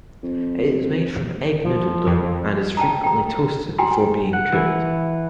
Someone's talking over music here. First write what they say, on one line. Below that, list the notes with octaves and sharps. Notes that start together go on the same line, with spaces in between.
It is made from egg noodle dough and is frequently toasted before being cooked.
F2
F3
F2
G5 A5 A#5
G5 A#5
F#4 G5 G#5 A#5 C6
F#5
E3